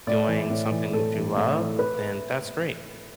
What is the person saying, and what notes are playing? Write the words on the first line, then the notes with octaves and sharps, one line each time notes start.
doing something that you love, then that's great.
A2 D5
E3
A2
E3
A2 A4
E3
A2
E3
B4